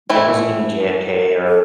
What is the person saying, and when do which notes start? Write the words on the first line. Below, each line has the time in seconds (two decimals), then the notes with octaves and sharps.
it wasn't even JFK or
0.10 E3 A3 E4
1.48 A4